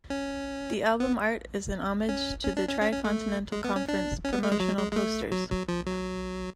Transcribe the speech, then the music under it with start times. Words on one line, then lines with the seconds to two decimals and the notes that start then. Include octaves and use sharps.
The album art is a homage to the Tricontinental Conference promotional posters.
0.10 C#4
1.00 B3
2.09 C#4
2.44 C#4
2.57 D4
2.68 C#4
2.81 C#4
2.92 C#4
3.04 A3
3.52 G#3
3.64 B3
3.76 C#4
3.88 D4
4.24 C#4
4.33 B3
4.43 A3
4.52 G#3
4.60 F#3
4.78 G#3
4.92 G#3
4.96 A3
5.32 F#3
5.50 F#3
5.68 F3
5.87 F#3